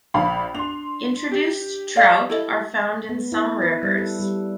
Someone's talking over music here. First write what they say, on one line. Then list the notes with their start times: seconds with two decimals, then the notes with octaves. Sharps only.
Introduced trout are found in some rivers.
0.14 A#1 F5 B5
0.55 D4 C6 F7
1.31 G4
1.95 A4 D5 F5
2.30 E4 A4 D#5
3.09 B3
3.32 E4
3.62 B4
3.83 G3
3.98 A4
4.19 G3